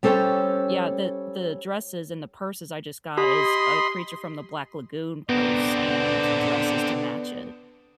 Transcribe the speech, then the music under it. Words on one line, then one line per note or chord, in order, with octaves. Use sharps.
yeah, the the dresses and the purses I just got is a creature from the Black Lagoon purse and dresses to match it.
G3 C#4 A4 C5 C#5 G5
G4 D#5 B5 C6
D3 B3 C4 A#4 D5